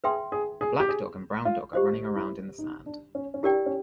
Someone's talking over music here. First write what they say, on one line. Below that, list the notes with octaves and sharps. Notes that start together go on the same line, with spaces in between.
A black dog and brown dog are running around in the sand.
G#4 B4 E5 G5 C6
G#4
G#4
G4
G#4
F4
F4 G4 C5 D#5
E4
D#4
D4
C#4
C#4
D4 E4 G4 A#4 D5 G5
C#4